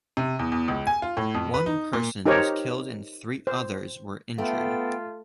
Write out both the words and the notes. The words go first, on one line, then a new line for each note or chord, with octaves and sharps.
One person was killed and three others were injured.
C3
E2
E2
C#2
G#5
F4
A2
F2
B4
D#4
A#2
D#4 G4 A#4 C5 C#5
C5
A3 B3 F4 A4 G5